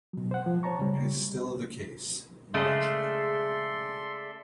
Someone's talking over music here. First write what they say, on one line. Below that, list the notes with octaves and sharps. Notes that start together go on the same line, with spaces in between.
It is still the case, largely.
B2 F#3
C5 F#5
F3
C5 C#5 A5 A#5 C#6
C#3 G3
C#3 G#3 A3 A4 D5 E5 C6